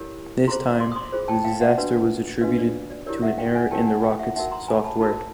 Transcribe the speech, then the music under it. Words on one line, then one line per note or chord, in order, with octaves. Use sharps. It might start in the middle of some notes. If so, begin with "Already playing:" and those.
This time the desaster was attributed to an error in the rocket's software.
Already playing: E4 G4 A#4 C#5
F4 G#4 C5 A#5 C6
C6 D6
D#6
C6 D6
F4 G#4 C5
G5 A5
F5 G5
E5 F#5
D4 F#4 B4
D4 F#4 B4 D#5 F5
D5
D5
E4 G4 A#4 C#5 D5
E5 F#5
F5 G5
F#5 G#5
E4 G4 A#4 C#5 G5 A5
F#5 G#5
F5 G5
E5 F#5
D#4 F#4 A#4 E5 F#5
A#5 C6
G#5 A#5
A5 B5
D#4 F#4 A#4 A5 B5